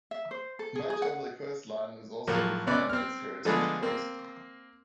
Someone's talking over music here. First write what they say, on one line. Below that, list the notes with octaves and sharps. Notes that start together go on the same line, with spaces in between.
Much of the coastline is also defined as heritage coast.
E5
C5
A4
G#4
G#4
F#5
A2 F3 F#3 A#3
C3 B3 C#4 D5 F#6
C4 F6
D3 F3 G#3 A3 B3 G#4
A#3 C4